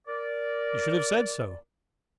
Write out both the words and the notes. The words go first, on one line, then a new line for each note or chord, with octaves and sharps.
You should have said so.
A#4 D5